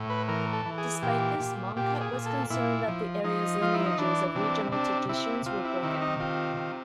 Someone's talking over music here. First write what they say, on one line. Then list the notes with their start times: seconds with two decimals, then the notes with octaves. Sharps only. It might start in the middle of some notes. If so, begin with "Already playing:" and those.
Despite this, Mongkut was concerned that the area's lineages of regional traditions were broken.
Already playing: A2
0.10 B4
0.28 E3 A#4
0.53 A4
0.66 E3
0.78 G#4
1.02 A#2 G4
1.39 A#2
1.76 A#2 G4
2.01 G#4
2.13 A#2
2.26 A4
2.50 A#2 E4
2.88 F3
3.24 F3 D#4
3.61 F3 F4
3.74 E4
3.86 D#4
3.98 E3 D4
4.35 C3 D4
4.72 C3 D4
5.09 C3 E4
5.46 C3 F4
5.65 E4
5.83 D#3 E4
6.01 D#4
6.20 C3 F4
6.57 C3